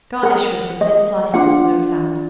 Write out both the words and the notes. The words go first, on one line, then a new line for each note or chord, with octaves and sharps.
Garnish with some thin slices of smoked salmon.
A#4 F#5
D#5
D4 F4 F#5